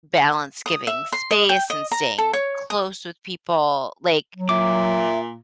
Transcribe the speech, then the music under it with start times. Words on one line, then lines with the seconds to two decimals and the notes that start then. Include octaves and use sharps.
balance giving space and staying close with people? Like
0.66 D#6
0.87 E5
1.12 C6
1.31 D#5
1.49 G5
1.70 D#5
1.91 A#5
2.18 A4
2.33 C#5
2.70 D#6
4.35 F#3
4.49 A#2 E5 D6